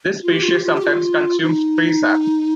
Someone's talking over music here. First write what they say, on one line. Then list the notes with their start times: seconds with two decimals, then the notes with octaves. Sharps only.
This species sometimes consumes tree sap.
0.23 F4
0.33 G4
0.43 F4
0.54 G4
0.63 F4
0.73 G4
0.84 F4
1.42 D#4